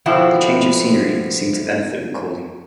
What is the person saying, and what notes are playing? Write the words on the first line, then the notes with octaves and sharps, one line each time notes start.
The change of scenery seemed to benefit McCauley.
B2 D3 F3 C4 E4